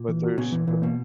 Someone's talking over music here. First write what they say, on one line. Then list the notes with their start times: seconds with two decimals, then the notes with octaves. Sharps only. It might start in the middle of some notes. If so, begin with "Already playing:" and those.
but there's, but
Already playing: A#2
0.09 E3
0.24 F#4
0.38 A#2 C#3 B3
0.53 A#2 E3
0.67 A#2 E3
0.82 B2 A#3